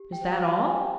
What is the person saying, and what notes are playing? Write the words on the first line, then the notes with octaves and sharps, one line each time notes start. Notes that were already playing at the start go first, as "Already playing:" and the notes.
"Is that all?"
Already playing: G4
G5
C5
F5
C5 F5
G#5
G5
G4